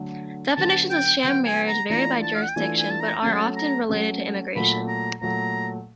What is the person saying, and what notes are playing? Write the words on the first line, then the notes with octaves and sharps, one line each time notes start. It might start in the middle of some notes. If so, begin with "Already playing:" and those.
Definitions of sham marriage vary by jurisdiction, but are often related to immigration.
Already playing: D3 F#3 A3
D3 F#3 B3 A5
G5
D3 F#3 B3 G5
G#5
A#5
E3 A3 D4 F4 A4 A#5
A5
F5
F#5
G5
E3 A3 D4 F4 A4 G#5
G#5
A5
A#5
F#3 A3 C#4 A5
A#5
F#3 A3 C#4
A#2 F#3 A3 B5
A#5
A#2 F#3 A3 A#5